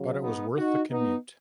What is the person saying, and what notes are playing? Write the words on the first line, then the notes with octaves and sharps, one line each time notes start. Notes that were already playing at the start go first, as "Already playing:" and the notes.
But it was worth the commute.
Already playing: C#3 F#3
B3 D#4
D#4 F#4
B3 D#4